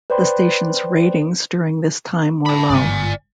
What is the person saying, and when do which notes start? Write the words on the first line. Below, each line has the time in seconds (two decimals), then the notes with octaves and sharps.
The station's ratings during this time were low.
0.10 B4 C5 D5 G5 B5 C6
2.46 A5 B5
2.70 G1 G#2 D5 G#5